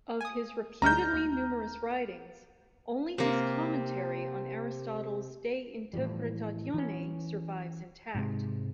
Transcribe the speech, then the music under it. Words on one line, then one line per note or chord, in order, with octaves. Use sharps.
Of his reputedly numerous writings, only his commentary on Aristotle's "De Interpretatione" survives intact.
G#5 D#6
D2 G3 G#3 A#5 F6 G6
D#2
C3 A#3
A2 E3 F3 G3
E3 C#4
G#2 C3 G#3